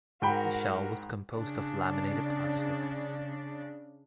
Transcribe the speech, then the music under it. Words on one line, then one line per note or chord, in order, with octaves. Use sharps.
The shell was composed of laminated plastic.
G#2 F#4 A#4 G5 B5
C#3 D4